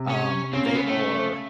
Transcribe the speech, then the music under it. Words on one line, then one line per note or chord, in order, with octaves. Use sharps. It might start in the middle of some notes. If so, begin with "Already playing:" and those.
um, they are
Already playing: C3
C#4
C#3 C4
A#3
B3
A3